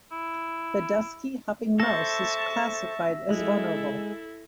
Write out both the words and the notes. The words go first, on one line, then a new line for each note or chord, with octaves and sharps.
The dusky hopping mouse is classified as vulnerable.
E4
A4 C5 E5 A5 C#6 A#6
G#3 E4 A4